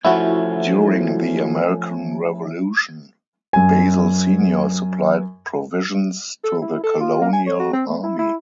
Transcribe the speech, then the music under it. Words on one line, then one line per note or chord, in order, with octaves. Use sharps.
During the American Revolution, Basil Senior supplied provisions to the Colonial Army.
F3 A3 C#4 E4 F#4
F#2 G#5
A4
E4
A4
F4
A#3
G#5
C#5
F#4
C4
A3
E4
E4